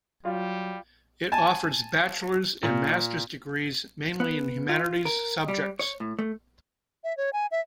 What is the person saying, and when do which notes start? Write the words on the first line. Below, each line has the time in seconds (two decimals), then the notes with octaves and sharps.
It offers bachelor's and master's degrees, mainly in humanities subjects.
0.25 F#3 G3 F4
1.32 G#5 A5
2.63 A#2
4.20 B3
4.69 F4
5.05 A#4
5.48 G3
5.79 C#5
6.00 A2
6.19 A3
7.04 E5
7.17 C#5
7.33 G#5
7.51 E5